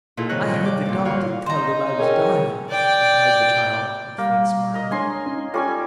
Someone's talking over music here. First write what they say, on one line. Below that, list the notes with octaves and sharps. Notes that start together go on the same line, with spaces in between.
'I heard the doctor tell them I was dying,' replied the child with a faint smile.
A#2 D#4 E4 G#4 A4
G2 C3 D#3 C#5 D#5 F#6
C#5 G5
D6
A#2 G3
D3 D4 F#4 C#5 F5
D#4 C5 A#5
C#4 G#4 A#4 G5
D5 G5
G3 A#3
A#4 D#5
G#3 D4 C#5 G#5 C6
C#4 D#4
G3 C#4 F4 A4 C#5 G#5